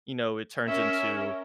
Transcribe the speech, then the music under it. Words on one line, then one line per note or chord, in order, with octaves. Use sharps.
you know, it turns into,
C#4 A#4 E5